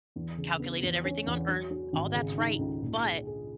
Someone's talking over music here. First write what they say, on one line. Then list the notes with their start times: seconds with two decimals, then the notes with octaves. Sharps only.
calculated everything on Earth. All that's right, but
0.16 E2
0.38 C#3
0.60 B3
0.83 E2
1.05 C#4
1.27 E2
1.48 F#3
1.71 F#3
1.93 G#1
2.15 C#3
2.38 D#4
2.59 C#2
2.83 A#2
3.04 G#4
3.27 G#4